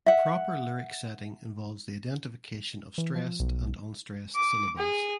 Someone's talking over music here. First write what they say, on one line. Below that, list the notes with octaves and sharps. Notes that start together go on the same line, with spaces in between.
Proper lyric setting involves the identification of stressed and unstressed syllables.
E5 F#5
E3
F3
B1
D6
G#4